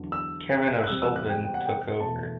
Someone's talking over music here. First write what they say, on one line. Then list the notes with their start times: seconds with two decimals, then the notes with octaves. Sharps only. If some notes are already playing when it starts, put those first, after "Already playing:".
Kevin O'Sullivan took over.
Already playing: E2 D3 F#3
0.12 E6
0.84 F#6
0.88 E2 C3 G3 C4 E6
1.02 E6
1.16 F#6
1.30 G5
1.45 G5
1.54 F#5
1.65 G5
2.00 E2 B2 A3 A5